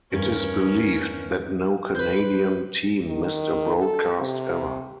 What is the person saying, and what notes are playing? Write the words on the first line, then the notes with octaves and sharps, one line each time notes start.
It is believed that no Canadian team missed a broadcast ever.
E2 G2 D#3 C#4 A#4
B4 C5
D#3
A4
C3